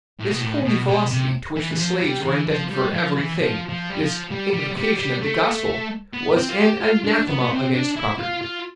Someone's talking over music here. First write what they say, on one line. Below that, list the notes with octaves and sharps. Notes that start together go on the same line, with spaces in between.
This holy philosophy, to which the slaves were indebted for every thing, this invocation of the Gospel, was an anathema against property.
A2
B2
A2
B2
B2
C3
E3
E3
F3
G3
E3
F3
G3
F3
E3
F3
F3
G3
F3
G3
G3
G3
G3
A3
B3
C4
F4
G4
F4
D4
B3
B3
C4
D4
E4
F4
F4